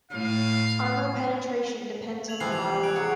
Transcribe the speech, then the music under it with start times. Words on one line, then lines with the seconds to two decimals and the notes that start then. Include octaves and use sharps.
Armour penetration depends on the model.
0.10 A2 F5
2.28 G#6 F7 F#7
2.40 C3 E3 F3 C7
2.52 D6 G#6 F7
2.67 G4
2.83 F#6 D7 F7
2.96 F#3 G#4 F#5 D6 G#6 C#7